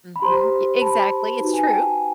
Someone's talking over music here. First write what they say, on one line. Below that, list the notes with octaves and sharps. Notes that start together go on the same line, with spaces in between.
Mhm, ye exactly, it's true.
B5
G4 C5 A#5 C6
A5 B5
D#4 F#4 B4 A5
G#5
G5 A5